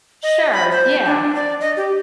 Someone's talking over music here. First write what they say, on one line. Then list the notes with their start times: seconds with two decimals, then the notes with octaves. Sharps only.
Sure, yeah.
0.23 D#5
0.53 B5
0.71 C5
1.05 D4
1.35 D5
1.61 D#5
1.77 G4